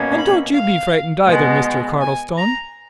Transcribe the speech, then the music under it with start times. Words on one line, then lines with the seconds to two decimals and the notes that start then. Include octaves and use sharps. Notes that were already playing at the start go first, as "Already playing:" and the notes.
And don't you be frightened, either, Mr. Cardlestone.
Already playing: B2 A#3 C#4
0.17 B5
0.53 F5
1.26 B2 G#3 B3
2.01 G#5
2.38 A#5